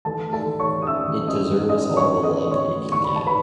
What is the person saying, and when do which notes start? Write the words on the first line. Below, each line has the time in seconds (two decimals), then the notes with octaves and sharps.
It deserves all the love it can get.
0.05 E3 A4 A5
0.26 A3
0.33 A4 A5
0.47 E3
0.60 C#5 C#6
0.67 E3
0.82 D#6
0.87 C#4 E5 E6
1.08 E3
1.28 C#4 D#5 D#6
1.49 E3
1.69 C#4 D#5 D#6
1.90 E3
1.97 C#5 C#6
2.10 C#4
2.23 D#5 D#6
2.31 E3
2.51 E3 C#5 C#6
2.72 A3
2.92 E3 C#6
3.04 B5
3.13 E3 A5
3.27 B4 B5